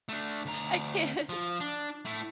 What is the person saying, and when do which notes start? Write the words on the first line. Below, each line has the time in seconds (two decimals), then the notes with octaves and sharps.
I can't.
0.09 A3 D4
0.46 D2 A#5
1.29 F3
1.60 D4
2.05 A3 E4